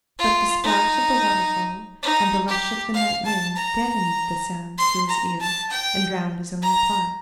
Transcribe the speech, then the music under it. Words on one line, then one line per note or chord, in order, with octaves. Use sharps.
But the splash of the waterfall, and the rush of the night wind deadened the sounds to his ear, and drowned his own reply.
F4
D#4
D#4
G4
F5
A5
A#5
C6
A#5
A5
G5
A#5